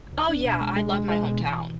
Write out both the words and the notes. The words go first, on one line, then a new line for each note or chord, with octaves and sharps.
Oh, yeah, I love my hometown,
C#2
D4
B2
G#3
G#3
G#3
G#3
B2
E3